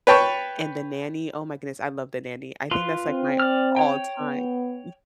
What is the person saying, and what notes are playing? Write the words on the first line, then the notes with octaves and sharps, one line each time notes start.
and The Nanny, oh my goodness, I love The Nanny. I think that's like my all time. Y
B4 C#5 G5 A5 C#6
F4 B4 C6
C4
D5 F6
C#5 G5
B3